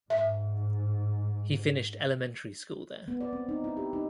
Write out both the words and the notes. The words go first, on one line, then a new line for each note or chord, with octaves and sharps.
He finished elementary school there.
G#2 E5
B3
D5
C4
D#4
E4
G4
D#4